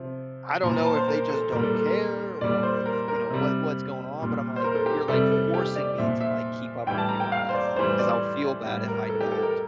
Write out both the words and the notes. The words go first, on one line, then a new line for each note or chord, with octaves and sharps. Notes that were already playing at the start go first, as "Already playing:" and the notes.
I don't know if they just don't care or if you know, what what's going on, but I'm like, "You're, like, forcing me to, like, keep up with you on this 'cause I'll feel bad if I don't."
Already playing: C3 F3
A#2 F3 A#5
A#5
A5
C5
A#4
A4
A#2 G3 A#4
A4
A4
A#4
A#2 G3 D5
C5
A#4
A#4
C3 G3
A#2 G3
C5
A#4
A4
G4
C3 G3 A4
A4
G4
D5
A#2 F3 E5
E5
A2 E3 G3 G5
A5
A#5
G5
F5
C5
D5
A2 E3 G3 C5
D5
A2 G3
A#4
A4
G4
A4
A#4